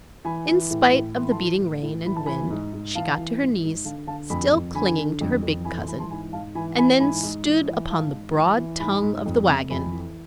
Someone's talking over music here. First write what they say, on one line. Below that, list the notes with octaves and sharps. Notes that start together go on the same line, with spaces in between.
In spite of the beating rain and wind she got to her knees, still clinging to her big cousin, and then stood upon the broad tongue of the wagon.
E3 G#5 B5
E3
A2
A2
E3 C6
B5
A5 C6
E3
A2
A2
E3 B5
A5
E3 G#5 B5
G#2
G#2
E3 F5 A5
E3
G#2
G#2
D3 F5 A5
D3 F5 A5
F2 G#5 B5
F2
D3 G#5 B5
D3
F2
F2
E3 G#5 B5
A5 C6
E3 G#5 B5
A5 C6
G#2 G#5 B5
G#2 F5 A5
E3 G#5 B5
E3 G#5 B5
G#2 G#5 B5
G#2
E3
E3
G#2 F5 A5
G#2
E3
E3
G#2 G#5 B5
G#2
F2
C3
F2 G#5 B5
E3